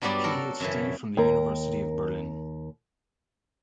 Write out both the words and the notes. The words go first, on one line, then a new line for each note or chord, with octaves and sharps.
Ph.D. from the University of Berlin.
G2 F#3 G3 B3 D5
F#4 A4 A#4
F#2 C#3 E3
D#2 A#4